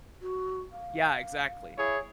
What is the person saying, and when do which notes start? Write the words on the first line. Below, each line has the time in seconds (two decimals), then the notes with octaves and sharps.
Yeah, exactly.
0.21 F#4
0.72 F5
1.77 E4 G#4 C#5